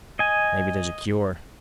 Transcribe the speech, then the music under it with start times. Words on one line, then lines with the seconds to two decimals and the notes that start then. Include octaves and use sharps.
Maybe there's a cure.
0.19 D#5 G#5